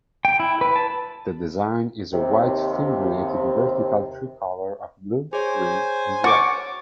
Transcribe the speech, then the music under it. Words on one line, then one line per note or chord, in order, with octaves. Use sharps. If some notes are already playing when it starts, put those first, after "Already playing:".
The design is a white-fimbriated vertical tricolour of blue, green, and red.
G5
E4
B4
A5
D#2 C3
G#4 C5 C#5 G#5
F#4 C#6 D6 A6
C#5